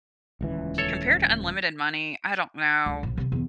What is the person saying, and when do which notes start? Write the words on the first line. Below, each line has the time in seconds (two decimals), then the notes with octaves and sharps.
compared to unlimited money, I don't know,
0.41 D#1 C#2 E3
0.78 A4 C#5
2.86 C#2
3.03 A#1
3.17 C3
3.32 E2